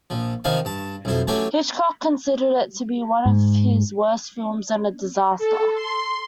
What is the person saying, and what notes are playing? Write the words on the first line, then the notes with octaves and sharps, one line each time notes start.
Hitchcock considered it to be one of his worst films and a disaster.
A#1 F3
C3 D#3 F3 D#4 F5 G#5
G2 A5
B1 F2 E4 C5
E3 F#3 A3 C#4 G4 C#5
G#2
A4
C6